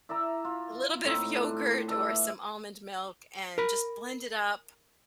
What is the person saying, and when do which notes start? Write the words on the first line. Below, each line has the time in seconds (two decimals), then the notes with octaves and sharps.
a little bit of yogurt or some almond milk, and just blend it up.
0.09 E4 D5 E5 A#5
0.45 F4
1.04 A2 C4 D#4
1.35 D4
1.88 A4 B4 D5 E5
3.58 A#4 B5